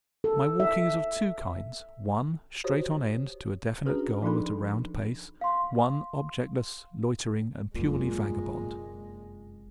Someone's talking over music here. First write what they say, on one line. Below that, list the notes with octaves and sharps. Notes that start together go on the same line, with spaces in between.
My walking is of two kinds: one, straight on end to a definite goal at a round pace; one, objectless, loitering, and purely vagabond.
A4
E5
F#4 G4 C5 C#5
C#4 D4 F#4 G#4 B4
F3 D4 D#4 A4 B5
F5 C6
F1 F#2 A#2 G#3